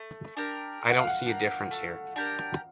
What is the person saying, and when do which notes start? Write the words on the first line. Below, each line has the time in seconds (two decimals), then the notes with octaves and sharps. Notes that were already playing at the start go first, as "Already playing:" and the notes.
I don't see the difference here.
Already playing: A3
0.37 D4 G4 A#4
0.81 A3
0.90 F#5
0.99 F5
1.07 F#5
1.26 D4 G4 A#4
1.71 A3
2.16 D4 G4 A#4